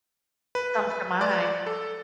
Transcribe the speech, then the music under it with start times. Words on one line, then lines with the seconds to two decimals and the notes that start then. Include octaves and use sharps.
comes to mind.
0.55 B4
0.91 B4
1.21 D5
1.66 A4